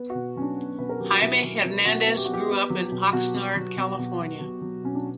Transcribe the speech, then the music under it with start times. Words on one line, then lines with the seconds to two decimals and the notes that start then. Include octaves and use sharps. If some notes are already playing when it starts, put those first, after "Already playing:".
Jaime Hernandez grew up in Oxnard, California.
Already playing: B3
0.10 F#4
0.15 B2
0.36 F#3 C#4
0.42 D4
0.58 B3
0.79 B2 B4
0.89 A#4
1.00 F#3 G4
1.11 F#4
1.22 B2 E4
1.43 F#3
1.64 B2
1.85 B2 F#4
2.07 B3
2.17 G4
2.25 B3 F#4
2.34 G4
2.49 B3
2.70 F#3
2.92 B2
3.13 B2 F#4
3.34 B2
3.56 F#3
3.76 B2
3.98 B2
4.19 B3
4.41 F#3
4.62 F#3
4.83 B2 C#4
4.95 D4